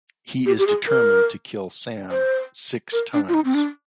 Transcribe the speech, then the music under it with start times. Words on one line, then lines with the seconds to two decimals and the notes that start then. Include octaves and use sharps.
He is determined to kill Sam "six times".
0.46 G4
0.59 G4
0.67 G#4
0.87 A#4
2.11 C5
2.92 A#4
3.13 D4
3.29 F4
3.34 D#4
3.45 C4
3.54 D4